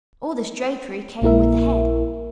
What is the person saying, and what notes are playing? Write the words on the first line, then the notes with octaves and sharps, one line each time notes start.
All this drapery came with the head.
A#1 A#3 E4 A#4 E5